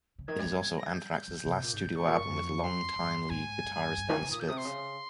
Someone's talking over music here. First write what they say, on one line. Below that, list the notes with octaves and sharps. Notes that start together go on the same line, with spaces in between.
It is also Anthrax's last studio album with longtime lead guitarist Dan Spitz.
C#3
D#3 G#6
G3
G#3
G3
G#6
A#6
G#6
G6
F3
C3
A#2
G#2
A#2
G#2 C#6
A#2
G2
F2
C6
G2
G#2 G#5
G2
G2
D#3
C#3
A#2 D#6
G6
C3 D#6
C6
C#3